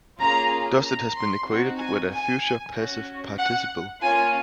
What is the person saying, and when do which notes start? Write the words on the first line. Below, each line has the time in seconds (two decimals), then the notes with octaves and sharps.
Thus it has been equated with a future passive participle.
0.20 A#3 C#4 F4 G#4 A#5
0.84 A#5
1.16 C6
1.47 C4 D#4 F#4
1.79 G#5
2.10 G#5
2.75 C#4 F#4
3.38 F#5
4.01 A#3 C#4 F4 G#5